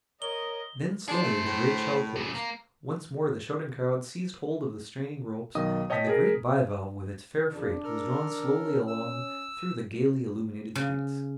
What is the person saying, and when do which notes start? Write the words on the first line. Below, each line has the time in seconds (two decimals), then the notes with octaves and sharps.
Then slowly the great shell closed, once more the shouting crowds seized hold of the straining ropes, and the great bivalve with its fair freight was drawn slowly along through the gayly illuminated streets.
0.22 A#4 C#5 D#5 G7
1.08 D4 G#4 C5
1.22 A3
1.45 A2
2.16 G2 C#3
2.35 A#3
5.55 B1 D#3 D#5 D#6
5.90 C#5 D#5 G5 A5 D#6 B6
6.07 G#4 A#4
7.53 F2 A#2 C#3 D4
7.84 A4 A#4 F6
8.55 C#4
8.87 E6
10.75 C#3